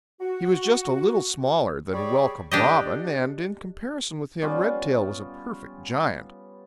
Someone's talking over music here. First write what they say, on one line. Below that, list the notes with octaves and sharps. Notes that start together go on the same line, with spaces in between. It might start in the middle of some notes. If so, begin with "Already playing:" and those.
He was just a little smaller than Welcome Robin, and in comparison with him Redtail was a perfect giant.
F#4
G3 G#4 C#5 D5 B5 C#6
D4 G4 D#5
G3 B3 C#4 F4